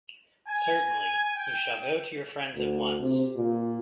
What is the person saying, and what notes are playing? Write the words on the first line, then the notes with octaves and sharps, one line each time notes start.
Certainly; you shall go to your friends at once.
G#5
G5
D2
C3
A#2